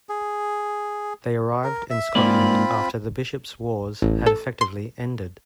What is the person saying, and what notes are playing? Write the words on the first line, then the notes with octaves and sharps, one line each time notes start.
They arrived in Scotland after the Bishops' Wars had effectively ended.
G#4
A#4
E5
G#2 A#3 C4 F4 D5 B5
A1
A4
C6